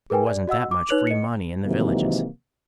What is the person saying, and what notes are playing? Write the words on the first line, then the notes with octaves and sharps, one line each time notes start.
There wasn't that much free money in the villages.
G#4 A#4 B4 G5 G#5
D5
F#4 D#5 F#5 E6
D6
D#4 B4 C#5 F#6 F7 F#7
D#5 C#7
C3 D#3 E3 F#3 G#3 A#3